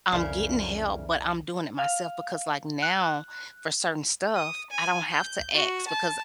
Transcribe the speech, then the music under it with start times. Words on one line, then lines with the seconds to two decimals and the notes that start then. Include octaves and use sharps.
I I'm getting help, but I'm doing it myself because, like, now for certain stuff, I don't have to ask because
0.12 C2 F2 C#3 D4 E4 A#4
1.79 F5
2.82 F#6
4.36 D#6
4.71 G#5
5.11 G6
5.54 F#4
5.88 A5